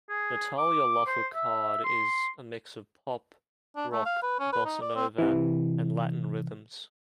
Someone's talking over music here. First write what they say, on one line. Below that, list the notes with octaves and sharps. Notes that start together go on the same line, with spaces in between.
"Natalia Lafourcade" is a mix of pop, rock, bossa-nova and Latin rhythms.
G#4
D6
C5
E5
C6
D4
A3
F5
B4
C#4
B4
D#4
D5
C4
C3 E3